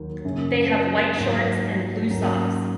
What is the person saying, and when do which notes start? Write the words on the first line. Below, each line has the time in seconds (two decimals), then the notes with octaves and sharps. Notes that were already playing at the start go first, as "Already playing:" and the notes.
They have white shorts and blue socks.
Already playing: D#2 D#3 F#3 A#3
0.25 F#2 C#3 A#3
1.17 G#2 F#3 A#3
2.10 G#2 F#3 A#3 C#4